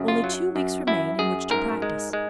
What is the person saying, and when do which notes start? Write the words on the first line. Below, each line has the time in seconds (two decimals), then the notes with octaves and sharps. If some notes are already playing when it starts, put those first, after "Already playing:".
Only two weeks remained in which to practise.
Already playing: F#2 C#3
0.08 F4
0.24 F#3
0.56 F#2
0.87 F#2 E4
1.19 F#2 G#4
1.50 G#2 A#4
1.82 G#3
2.13 G#3